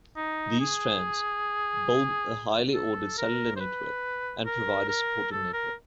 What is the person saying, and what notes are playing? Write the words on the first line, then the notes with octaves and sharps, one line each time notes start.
These strands build a highly ordered cellular network and provide a supporting network.
D#4
G#4
A4
A#4
C5
B4
A#4
A#4
A4
A#4